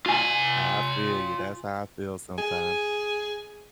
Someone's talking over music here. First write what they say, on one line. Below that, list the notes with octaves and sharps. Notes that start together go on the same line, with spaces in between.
I feel you, that's how I feel sometimes.
F4 G#5
G#4